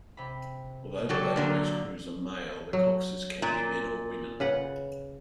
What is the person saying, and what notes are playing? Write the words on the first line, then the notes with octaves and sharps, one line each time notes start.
Although The Boat Race crews are male, the coxes can be men or women.
C3 B5
C#3 F#3 G4 A4 A#4 D5
A#2 D3 F#3 A#3
F#3
A#2
C#3 B4 F#5